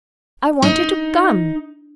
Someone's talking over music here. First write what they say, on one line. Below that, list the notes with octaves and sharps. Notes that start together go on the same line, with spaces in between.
'I wanted to come.
D#4